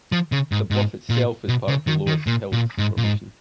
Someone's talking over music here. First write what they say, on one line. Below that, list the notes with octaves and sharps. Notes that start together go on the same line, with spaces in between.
The bluff itself is part of the Loess Hills formation.
F3
C#3
G#2
G#2
A#2
B2
C#3
D#3
D#3
A#2
A#2
G#2
A#2
G#2